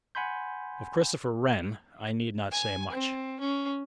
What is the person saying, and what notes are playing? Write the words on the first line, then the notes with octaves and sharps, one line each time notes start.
Of Christopher Wren I need not say much.
F#5 G#5 B5 C6 G6
G#5
C4
C#4